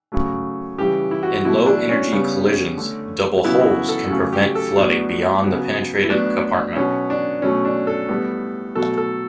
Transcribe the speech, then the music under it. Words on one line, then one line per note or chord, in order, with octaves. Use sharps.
In low-energy collisions, double hulls can prevent flooding beyond the penetrated compartment.
C#3 F#3 A3
C#3 E3 G3 G4
E4
F#4
B2 F#3 A3 E4
D4
C#4
C#3 G3 B3
D3 A3
C#3 F#3 B3 E4
E4
F#4
A4
C#3 F#3 A3
G4
A4
A2 F#3 B3 D4
C#3 F#3 B3
E4
A2 F#3 B3 D4
B2 F#3 B3 C#4
D4
B2 F#3 A3 C#4
D4
A4
A2 G3 B3
B2 F#3 A3 A4
A4